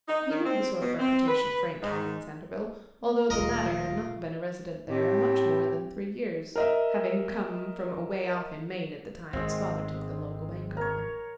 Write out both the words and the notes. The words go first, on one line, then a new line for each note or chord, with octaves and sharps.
He knew the sort of reputation Frank had in Centerville, although the latter had not been a resident there much more than three years, having come from away off in Maine at the time his father took the local bank over.
D#4
D#3
C4
B2
C4
B4
G#2
D1 A#2 D#3 A3 F4 A#4 D#5
A2 C4 G4
A#4 D#5 E5
G#1 G#3 C4
A#4 C#5